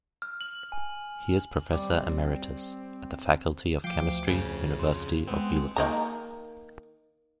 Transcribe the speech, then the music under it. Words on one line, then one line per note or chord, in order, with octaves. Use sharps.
He is Professor Emeritus at the Faculty of Chemistry, University of Bielefeld.
F6
F#7
G#5
G3 C4
D2 F3 F5 G5 D6 C7
F2 C#3 G#5 B5
C6
G#3 B3 C4
D#3 A#3 A#5